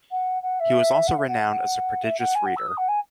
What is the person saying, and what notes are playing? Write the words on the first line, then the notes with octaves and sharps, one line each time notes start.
He was also renowned as a prodigious reader.
F#5
F#5
E5
F#5
E5
F#5
E5
F#5
G#5
F#5
E6
D#6
F#5
G#5